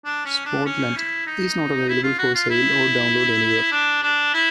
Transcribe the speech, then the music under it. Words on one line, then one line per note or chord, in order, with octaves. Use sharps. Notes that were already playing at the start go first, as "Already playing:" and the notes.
"Spodland" is not available for sale or download anywhere.
D4
C#4
D4
C#4
E4
D#4
E4
F4
F#4
F4
E4
D4
D4
E4